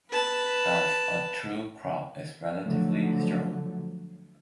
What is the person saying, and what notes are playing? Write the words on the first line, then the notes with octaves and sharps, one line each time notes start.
Thus, a true crop is relatively short.
B4 A5
D3 F3 F#3 A3